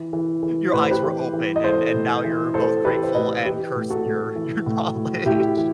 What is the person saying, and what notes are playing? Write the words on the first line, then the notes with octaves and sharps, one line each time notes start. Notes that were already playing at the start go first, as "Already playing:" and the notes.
Your eyes were opened, and and now you’re both grateful and cursing your your knowledge.
Already playing: E3
E3
E3
A2 B4
C5
G4 B4
E3
E3
D#5
E3 A4 C5
A2
E3
A2 A4 C5
E3 G4 B4
C5
A2 B4 D#5
E3 G4 B4
A2
F#4 A4
A2
E3
A2
A2
A2 E4 G4
E3